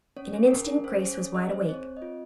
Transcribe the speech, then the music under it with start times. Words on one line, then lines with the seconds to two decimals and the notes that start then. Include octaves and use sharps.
In an instant Grace was wide awake.
0.16 C#4 C#5
0.34 G#4
0.50 C#4 A#4
0.67 G#4
0.84 C#4 C5
1.01 G#4 C#5
1.17 C#4 C#5
1.34 G#4 D#5
1.51 G#4 C5
1.68 C4
1.74 C#5
1.85 C4
1.97 D#5
2.02 F4